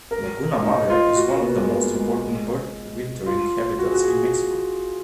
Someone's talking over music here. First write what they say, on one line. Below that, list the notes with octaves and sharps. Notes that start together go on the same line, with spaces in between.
Laguna Madre is one of the most important bird wintering habitats in Mexico.
A#4
D#4
F4
F#4
A#3
B3
G#3
A#3
G#3
F4
F#4
G#4
F#4
G#4